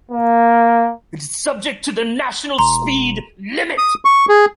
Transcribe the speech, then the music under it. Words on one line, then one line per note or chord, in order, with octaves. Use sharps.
It is subject to the national speed limit.
A#3
E1 A#5 C6
D#6
C#6
G#4